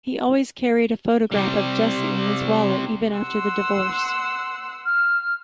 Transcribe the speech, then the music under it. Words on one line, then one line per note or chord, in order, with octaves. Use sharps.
He always carried a photograph of Jessie in his wallet even after the divorce.
C3 G3
F#5 C6 E6
F6